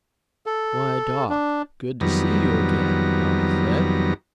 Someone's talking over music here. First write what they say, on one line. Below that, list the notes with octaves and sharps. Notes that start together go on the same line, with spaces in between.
"Why, Doc, good to see you again," Johnny said.
A4
D4
F2 D#3 F#3 G3 B3 A#5